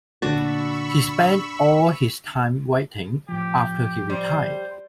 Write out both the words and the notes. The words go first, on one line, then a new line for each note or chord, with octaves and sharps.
He spent all his time writing after he retired.
A#2 D3 D4 F#4 B5 C#6 E6 A6
A2 F3 G4
G3 C5